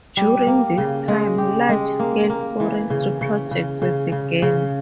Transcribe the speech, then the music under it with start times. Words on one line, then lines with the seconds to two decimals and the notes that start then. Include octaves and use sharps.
During this time, large-scale forestry projects were begun.
0.17 G3
0.47 A#3
0.78 C#3
1.08 G#3
1.38 G4
1.69 G#3
1.99 A#3
2.30 A#3
2.60 E3
2.90 C#3
3.21 C#3
3.51 C#3
3.82 C#3
4.12 C#3
4.42 C#3